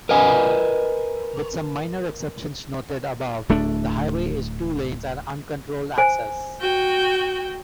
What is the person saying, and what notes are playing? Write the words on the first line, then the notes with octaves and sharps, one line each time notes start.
With some minor exceptions noted above, the highway is two lanes and uncontrolled access.
A#4 B4 D#5 G#5
D1 A3 D4
C5 G#5
F#4 G5